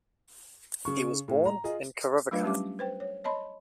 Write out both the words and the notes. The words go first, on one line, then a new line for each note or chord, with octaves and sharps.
He was born in Kirovakan.
C#3 C#6
A2
A#5
F4 G#4 D#5
F#3 A3 D4 F4 B4 F5
G3 C#4 G4 D6
B4 C5 G5
C#5
C#5 D#5 A5 B5 C6